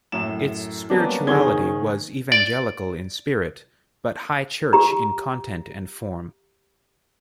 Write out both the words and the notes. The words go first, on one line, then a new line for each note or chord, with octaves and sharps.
Its spirituality was Evangelical in spirit, but High Church in content and form.
F#2 A2 E7
F#3 G3 A#3 B3 C#4 D4
F#1 D#3 G#4 C#5 G#6 G7
D5
G4 A#5